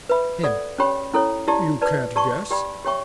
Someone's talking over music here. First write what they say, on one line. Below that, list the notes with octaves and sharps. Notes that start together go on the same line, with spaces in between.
HIM: You can't guess?
B4 E5 B5
A4 D5 F#5
C#4 G4 C#5 G5 B5
C#4 E4 A4 C#5
E4 G4 D5 A5
B4 D5 A5
G4 D5 A5 C#6
G4 D5 G5 B5
G4 C#5 E5 G5 C#6